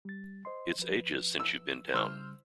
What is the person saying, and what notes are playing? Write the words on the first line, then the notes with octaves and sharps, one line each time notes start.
It’s ages since you’ve been down.
G3 A6
C5 D#5 C6
F3 B4
E6
C#3 G3 C5 E6 F6